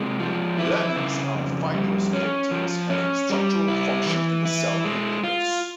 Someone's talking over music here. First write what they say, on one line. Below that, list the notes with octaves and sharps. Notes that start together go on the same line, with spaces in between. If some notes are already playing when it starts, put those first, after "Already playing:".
Lamins are fibrous proteins having structural function in the cell nucleus.
Already playing: C3 G#3
F3
E4
C#3
F2
G3
C#4
F3
C#4
G3
E4
E3
E4
G#3
F4